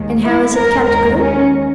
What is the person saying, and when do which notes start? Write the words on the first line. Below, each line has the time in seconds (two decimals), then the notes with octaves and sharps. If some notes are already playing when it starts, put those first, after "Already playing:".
And how is it kept good?
Already playing: D#2 D#3 G#3
0.24 E4
0.56 D#2 D#3 G#3 A#4
0.88 A#4
1.20 C#4